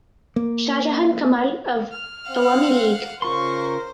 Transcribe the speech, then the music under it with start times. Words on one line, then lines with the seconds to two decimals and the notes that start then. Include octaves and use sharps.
Shahjahan Kamal of Awami League.
0.36 A#3
1.92 F6
2.30 C4 F5 F#5
3.22 C#3 F4 A#4 C5 C6 C#6